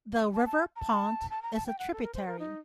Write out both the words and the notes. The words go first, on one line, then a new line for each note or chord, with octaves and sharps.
The River Pont is a tributary.
A5
A5
A#5
A5
A5
A#5
A5
G5
F#5
A4
A#4
C5
A#4
D#4